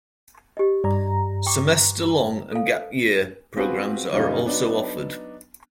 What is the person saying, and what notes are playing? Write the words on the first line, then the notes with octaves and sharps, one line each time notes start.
Semester long and gap-year programs are also offered.
G4 D#5
G2 D5 A#5
G5 C#6 D6
A4 F5
B3 C4 F4 F#4 G#4 B4
F#2 A#2 C#3 G3 D#4 F4
F#3 B3 D4 D#4